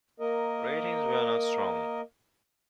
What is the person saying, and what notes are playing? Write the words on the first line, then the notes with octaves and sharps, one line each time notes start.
Ratings were not strong.
A#3 A#4 D#5